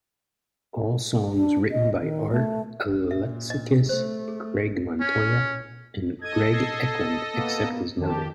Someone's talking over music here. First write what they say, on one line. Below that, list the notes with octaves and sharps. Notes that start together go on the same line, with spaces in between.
All songs written by Art Alexakis, Craig Montoya, and Greg Eklund, except as noted.
D4
D#5
D#3
A3
A#2 E5
D#5
A3 C5
G#4
C#4
A4 D#5 G#6 D#7
G#6 C7
A#3 B3
F2 D#3 G4 A5